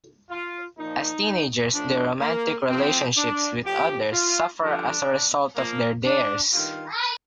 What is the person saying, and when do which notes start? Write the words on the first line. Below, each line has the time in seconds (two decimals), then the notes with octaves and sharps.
As teenagers their romantic relationships with others suffer as a result of their dares.
0.30 F4
0.77 A#2 F3 D#4
1.73 A2 F3 D4
2.21 A#3
2.69 A2 F3 C4
3.17 D4
3.64 A2 F3 G4
4.12 F4
4.60 G2 D3 F3 D4
5.56 A#2 F3 A#3
6.04 D4
6.52 G2 D#3 F4